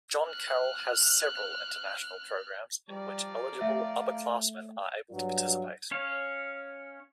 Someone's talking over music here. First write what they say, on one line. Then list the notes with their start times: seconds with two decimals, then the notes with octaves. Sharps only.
John Carroll has several international programs in which eligible upperclassman are able to participate.
0.24 F6 F#6
2.89 F3 G3 D5 A#5
3.61 A3 E5 F5
5.12 G2 F#3
5.91 C#4 C#5 F5